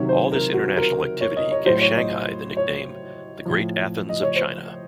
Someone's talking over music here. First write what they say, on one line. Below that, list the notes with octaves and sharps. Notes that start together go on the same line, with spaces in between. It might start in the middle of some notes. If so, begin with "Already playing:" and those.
All this international activity gave Shanghai the nickname "the Great Athens of China".
Already playing: C3 D#3 F#3 C#5
C5
A#4
F#4
A#4
C#5
D#5
C#5
A2 F#3 C5
C#5
D#5
C#5
A2 F3
D#5
C#5
C5